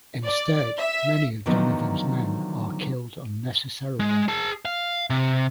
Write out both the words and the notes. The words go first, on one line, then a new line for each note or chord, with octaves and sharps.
Instead, many of Donovan's men are killed unnecessarily.
D5
E5
D3 D#3 F3 F#3 A3 B3
G#3
G#4 A5
F5
C3